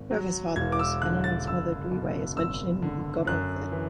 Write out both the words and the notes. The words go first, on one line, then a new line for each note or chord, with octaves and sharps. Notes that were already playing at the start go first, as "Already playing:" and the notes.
Whoever his father was, Aneirin's mother, Dwywei is mentioned in "Y Gododdin".
Already playing: G#1
F#3
E1 G#6
D6
E6
D3 F#6
A6
F#1 E6
B2
G#1 E6
D3
F#2 F#6
E3